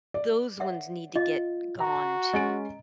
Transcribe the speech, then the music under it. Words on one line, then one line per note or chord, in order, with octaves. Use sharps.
Those ones need to get gone, too.
D5
C#5 E5 F#5
F4 D#5
F#4 A#5
G#3 C#4 D#5 D7